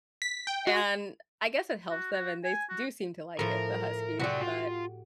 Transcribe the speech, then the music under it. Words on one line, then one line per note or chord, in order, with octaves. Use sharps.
and I guess it helps them, and they s do seem to like it, the huskies, but
B6
G5
F#4
F#4
F#4
G#5
F#4
A2 F3 A#4
C3 F#4 G4 B4 D5
F4